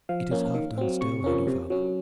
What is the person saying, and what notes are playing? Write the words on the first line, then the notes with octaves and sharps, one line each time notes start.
"It is half done still, holy father."
F3 F5
A#3 C#4
D#3
F#3 C4
C3 C#6
F3 A#3 C#4
C3
F#3 C#4